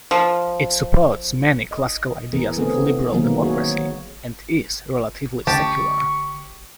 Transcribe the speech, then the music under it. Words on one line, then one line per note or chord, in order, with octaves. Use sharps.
It supports many classical ideas of liberal democracy and is relatively secular.
F3
D#5
E3 B3 G#4 A#4
D3 A3 B3 C4 G#4
D#3 F#3 G#3 A#3 B3
F#4 G#4 C#5 E5
D3 A3 C#4 G4 A5 C#6